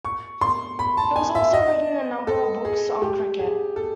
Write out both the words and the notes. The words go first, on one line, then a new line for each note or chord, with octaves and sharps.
He has also written a number of books on cricket.
C#6
C6
B5
A5
G#5
E5
D#5
A4
G#4
G4
G#4
A4